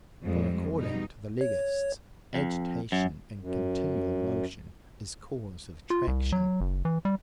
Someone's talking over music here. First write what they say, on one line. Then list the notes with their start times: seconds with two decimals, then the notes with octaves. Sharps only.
For, according to the Legists, agitation and continual motion is cause of attraction.
0.23 F2 G3 G#3
0.75 B2 G3 D#4
1.41 C#5
2.34 F2
2.92 F#2
3.39 F#2
5.90 F4
6.07 C2
6.32 F#3
6.61 F#1
6.85 E3
7.05 G3